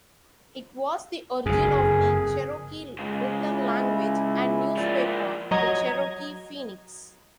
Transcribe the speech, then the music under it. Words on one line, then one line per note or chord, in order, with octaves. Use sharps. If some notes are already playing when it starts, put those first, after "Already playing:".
It was the origin of the Cherokee written language and newspaper, the "Cherokee Phoenix".
F#1 F2 G#4
C#2 C#3 G#3
E4
F3 D4
F#3 D#5 A#5 G#6